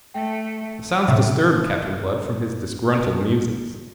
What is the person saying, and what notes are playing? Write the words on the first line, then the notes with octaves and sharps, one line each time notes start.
The sounds disturbed Captain Blood from his disgruntled musings.
A3 G5
A2 C3